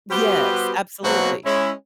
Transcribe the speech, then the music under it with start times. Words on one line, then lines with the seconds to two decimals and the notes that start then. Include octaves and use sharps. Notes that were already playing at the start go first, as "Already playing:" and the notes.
Yes, absolutely.
0.11 G3 B3 F#4 G4 B4 C5
1.03 B2 F#3 A#3 C4 D#4 F#4
1.45 G#3 C#4 E4